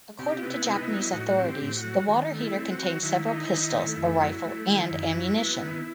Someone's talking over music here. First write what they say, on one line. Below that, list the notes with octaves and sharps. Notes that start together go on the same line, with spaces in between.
According to Japanese authorities, the water heater contained several pistols, a rifle, and ammunition.
C3 G4
B3
E4
D#4
E4
F#3
A2 F#4
C4
G4
A2
F#4
F#3
D#3
A3
E4
C4
F#4
F#3
D#3 E4
D#4
D#3
A3
F#2
F#3
A3
D#3
F#2
F#3
B3
D#3